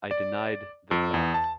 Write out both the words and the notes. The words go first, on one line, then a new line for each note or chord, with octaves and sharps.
I denied the cat.
D5
F2
E2
A5